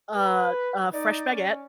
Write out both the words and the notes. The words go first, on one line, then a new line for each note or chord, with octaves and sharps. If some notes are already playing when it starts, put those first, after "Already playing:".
a a fresh baguette,
B4
D#4 D5
C#4